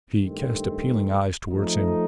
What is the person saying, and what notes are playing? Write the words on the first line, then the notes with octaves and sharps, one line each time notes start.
She cast appealing eyes toward him.
G2 D#3 A3 C4
F3 A3 D#4